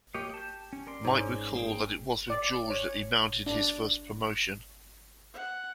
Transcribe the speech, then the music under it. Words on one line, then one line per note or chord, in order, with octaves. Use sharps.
Mike recalled that it was with George that he mounted his first 'promotion'.
A#3 G4 C#5 D#5
A5 G6
C#4
A#4 D5 C6
G#2 C#4
A#3 G#4 G5
D5
C#5
D4
F#5